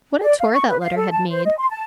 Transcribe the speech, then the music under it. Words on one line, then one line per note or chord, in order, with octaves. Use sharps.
What a tour that letter had made!
D5
F5
C#6
B4
F5
A4
A5
C5
D#5
C6
A5